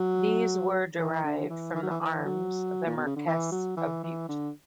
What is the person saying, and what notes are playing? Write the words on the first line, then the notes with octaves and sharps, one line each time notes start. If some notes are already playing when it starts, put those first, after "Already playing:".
These were derived from the arms of the Marquess of Bute.
Already playing: F#3
E3
D3
E3
E3
F#3
E3
E3
F#3
A#2
B2
C#3
D3
E3
F#3
E3
E3
D3